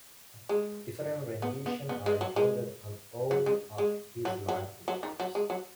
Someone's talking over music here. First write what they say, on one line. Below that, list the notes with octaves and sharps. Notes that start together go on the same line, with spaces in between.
Different renditions are included on all of his live albums.
G#3
B3
B3
B3
G#3
F#3
G#3
F#3
G#3
G#3
F#3
F#3
F#3
D#3
F#3
G#3
F#3